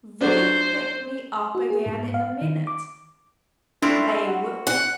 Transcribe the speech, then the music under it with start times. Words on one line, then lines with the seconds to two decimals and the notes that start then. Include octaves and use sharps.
'They'd pick me up again in a minute, THEY would!
0.21 F#3 A3 D4 C5
1.55 F#4
1.70 G#4
1.86 G#2
2.14 F5
2.42 D#3
2.67 D6
3.82 A3 C4 D4 E4 F4
4.26 F#4
4.67 F#5